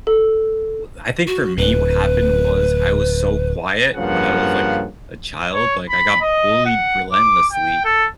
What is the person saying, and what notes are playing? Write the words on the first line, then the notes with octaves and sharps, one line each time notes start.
W I think for me, what happened was, I was so quiet when I was, like, a child, like, I got bullied relentlessly,
A4
F#4
D1 B4
G2 C#3 F3 A#3 B4 F#5
C#5
B5
D#5
F#5
D6
G5
A4